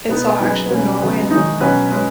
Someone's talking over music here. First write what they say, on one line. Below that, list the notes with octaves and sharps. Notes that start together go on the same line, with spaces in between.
It saw action in Norway and Finland.
B2 B3 D#4 B4
F#2 F#3 D#4 G#4 B4
B2 F#3 C#4 B4
C#3 F#3 B3 F#4
D#3 G#3 D#4
B2 F#3 C#4 F#4 B4
G#3 C#4 B4